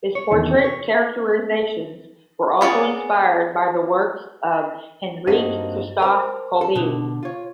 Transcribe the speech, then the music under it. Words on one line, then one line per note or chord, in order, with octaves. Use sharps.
His portrait characterizations were also inspired by the works of Heinrich Christoph Kolbe.
C#5
E2 C3 D#3 E3
C#5
B3 C#4 G#4 D5
G2 A#3 C4 D#4 F#4
A#4 C5 A5
A4
B2 D3
F4 C#5